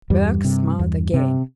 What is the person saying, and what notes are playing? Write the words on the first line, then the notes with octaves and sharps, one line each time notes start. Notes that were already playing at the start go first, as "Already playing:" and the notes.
Berg smiled again.
E2 G2 G3
C3
E2
C3